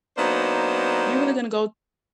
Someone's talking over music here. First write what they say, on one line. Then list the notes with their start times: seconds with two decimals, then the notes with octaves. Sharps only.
you really gonna go
0.18 F#3 A#3 B3 D4 D#4 C5